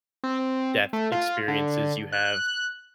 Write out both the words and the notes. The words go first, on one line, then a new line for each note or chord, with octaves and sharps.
death experiences you have
C4
A3
F4
D3
F#6